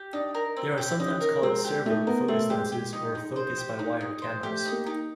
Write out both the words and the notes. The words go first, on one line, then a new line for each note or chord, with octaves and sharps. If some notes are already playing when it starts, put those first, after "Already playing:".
They are sometimes called "servo" focus lenses or "focus by wire" cameras.
Already playing: G4
D4 D#4
A#4
C4
G4
C#4 D#4
A#4
G#3 C4
G4
A3 D#4
B3 A#4
A3 C4
G#3 G4
G4
D#4
D#4
C5
G4
D#4
D#4
C5
A3 G4
D#4
A#3
D#4